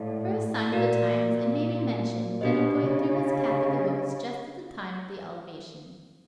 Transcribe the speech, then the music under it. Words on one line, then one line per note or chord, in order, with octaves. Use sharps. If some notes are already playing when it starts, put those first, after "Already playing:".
For a sign of the times it may be mentioned that a boy threw his cap at the Host just at the time of the Elevation.
Already playing: A2 E4 A4 D5 F5
A#2 F#4 A#4 D5 F5
B2 D4 G4 C5 D#5
C#3